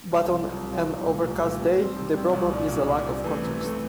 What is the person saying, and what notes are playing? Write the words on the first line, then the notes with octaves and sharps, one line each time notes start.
But on an overcast day the problem is a lack of contrast.
C2
C3 F3
C2
C3 F3
C2
A#2 A3
C2
A#2 A3
C3
G3 C4
C3
G3 C4
C2
A#2 G3 D4
C2
A#2 G3 D4
C3
E3 A3
C3
E3 A3